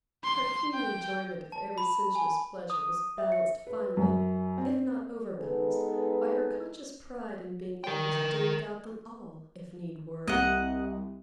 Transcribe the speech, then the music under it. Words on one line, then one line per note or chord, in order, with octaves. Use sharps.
Her keen enjoyment of every sensuous pleasure, was balanced finely, if not overbalanced, by her conscious pride in being able to do without them all, if need were.
C6
G5
A5
B5
G#5
D#6
E5
C#7
B4
F#2
C4
G#3 B3 D#4 A4 B4
A#4 G5
C2 D#5 F#5